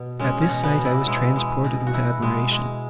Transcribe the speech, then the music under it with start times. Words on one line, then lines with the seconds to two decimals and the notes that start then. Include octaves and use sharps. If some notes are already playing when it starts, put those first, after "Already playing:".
At this sight I was transported with admiration.
Already playing: B2
0.19 G#3 C#4
0.42 C#4
0.49 B2
0.63 B3
0.78 B2
0.85 E4
1.06 G#3 E4
1.36 G#3
1.64 B2
1.87 F#4
1.94 B2 E4
2.22 G#3
2.51 G#3